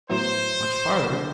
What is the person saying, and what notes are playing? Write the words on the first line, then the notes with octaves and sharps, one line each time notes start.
'Much farther!
A2 F#3 B3 E4 C5
D3 G3 C4